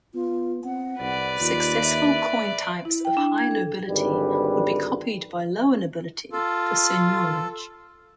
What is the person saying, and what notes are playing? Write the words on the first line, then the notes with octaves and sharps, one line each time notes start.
Successful coin types of high nobility would be copied by lower nobility for seigniorage.
B3 F4
C4 F#5
C2 B4 D5
D#2 F4
E5
E4
G5
D4
G#6
A4
G#1 D3 G3 B4
F4 A4